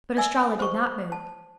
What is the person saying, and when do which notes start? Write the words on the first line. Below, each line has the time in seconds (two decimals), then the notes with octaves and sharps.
But Estralla did not move.
0.17 D5 E5 G#5 E6
0.59 C5 C#6
1.12 A5